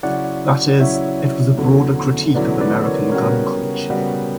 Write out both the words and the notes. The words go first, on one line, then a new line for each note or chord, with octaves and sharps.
That is, it was a broader critique of American gun culture.
C#3 F#3 C#4 E4 D5 F#5
C#3 F#3 C#4 E4 C#5 E5
E2 D3 F#3 C#4 E4
E2 D3 F#3 C#4 E4 B4 D5
B4 D5
A#4 C#5
C#3 G3 B3 F#4 A#4 C#5
C#3 G3 B3 F#4